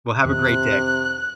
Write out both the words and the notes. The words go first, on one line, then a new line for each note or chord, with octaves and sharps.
Well, have a great day.
F2 C3 D#3 F#6